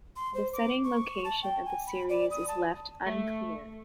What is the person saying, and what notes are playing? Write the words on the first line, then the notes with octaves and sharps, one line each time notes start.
The setting location of the series is left unclear.
C6
C5
D6
C#6
A5
G5
G#5
B5
D5
D#6
A5
A3